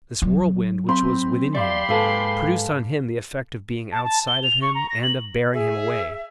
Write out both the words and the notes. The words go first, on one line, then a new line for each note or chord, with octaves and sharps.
This whirlwind which was within him, produced on him the effect of being outside of him and of bearing him away.
F#3
C4 B5 C6
G4 D5 E5 F5 B5 C6
G#2 A4 B4 F5 G#5
A5
A5
G7
F7
C#6
A#5
A#6
F#7
G#4 E5